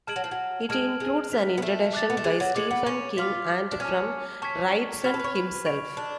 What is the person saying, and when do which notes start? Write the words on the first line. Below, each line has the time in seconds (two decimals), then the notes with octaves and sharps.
It includes an introduction by Stephen King and from Wrightson himself.
0.07 G#3 A5 F6 G#6 D7 F#7
0.16 F#3
0.24 F3
0.31 F#3
0.69 G#3 A5 F6 G#6 D7 F#7
1.00 G#3
1.32 F#6 B6 F7
1.58 B3
1.62 A3
1.93 D6 F#6 A6 F7
2.10 B3
2.17 A3
2.24 G#3
2.40 F#3
2.55 G#3 D6 G#6 C#7 F#7
2.71 B3
2.86 C#4
3.17 F4 D6 F6 B6
3.72 D4
3.80 C#4 A5 F6 G#6
4.42 C#4 A5 C#6 G#6 B6
5.04 F#4 B5 F6 G#6 B6 F7
5.14 A4
5.19 B4
5.24 C#5
5.35 B4
5.66 C#6 G#6 D7 F7
5.97 D4